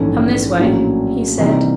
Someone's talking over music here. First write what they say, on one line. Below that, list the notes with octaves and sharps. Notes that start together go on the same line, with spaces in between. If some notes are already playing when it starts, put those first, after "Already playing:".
"Come this way," he said.
Already playing: A#1 G#2 E3 A3 C#4
A#1 A2 F#3 A#3 C#4
C3 E3 G3 A#3 D#4